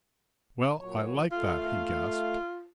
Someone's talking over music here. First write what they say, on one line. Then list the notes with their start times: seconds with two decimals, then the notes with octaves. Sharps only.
"Well, I like that!" he gasped.
0.79 A#2 F#3 C#5
1.32 A3 F4 F5